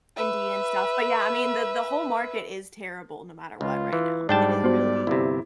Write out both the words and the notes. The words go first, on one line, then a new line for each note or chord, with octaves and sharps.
Indeed, and stuff, but yeah, I mean, the the whole market is terrible no matter what right now, it is really,
B4 E5
C#2 F4
E3
G#2 G3 D4 D5 G5 A5
B3 F#4 C5
G1 C3 E4